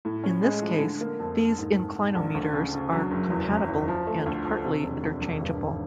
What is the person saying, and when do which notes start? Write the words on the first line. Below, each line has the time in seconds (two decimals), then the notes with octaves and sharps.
In this case, these inclinometers are compatible and partly interchangeable.
0.05 A2
0.24 C#4
0.43 G#3
0.62 F3
0.81 D3
1.01 A#3
1.20 F2
1.39 A#3
1.58 G#2
1.77 G#2
1.96 G#2
2.15 A#1
2.34 D2
2.53 C#3
2.73 C#3
2.92 F#3
3.11 F#1
3.30 E2
3.50 F#1
3.68 E2
3.88 F3
4.07 A3
4.26 D2
4.45 F3
4.64 C3
4.84 E1
5.03 D2
5.22 E1
5.41 G2
5.60 G#1